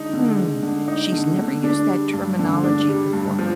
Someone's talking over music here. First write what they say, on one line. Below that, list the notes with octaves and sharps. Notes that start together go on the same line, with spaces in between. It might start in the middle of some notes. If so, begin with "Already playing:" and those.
Hmm, she's never used that terminology before."
Already playing: D3 G#3 D#4
D3
G#3
D3
D#4
D3
D3
D4
G3
G2
D3
D4
G3
G2
F3